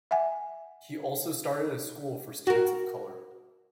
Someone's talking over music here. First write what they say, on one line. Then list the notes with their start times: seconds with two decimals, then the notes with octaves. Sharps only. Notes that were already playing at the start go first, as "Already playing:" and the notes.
He also started a school for students of color.
0.11 E5 F#5 G#5
2.47 F#4 A#4